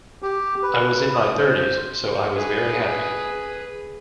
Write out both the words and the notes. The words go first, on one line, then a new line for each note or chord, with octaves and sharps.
I was in my thirties, so I was very happy.
G4
B4
D#6
C5
G#4 B4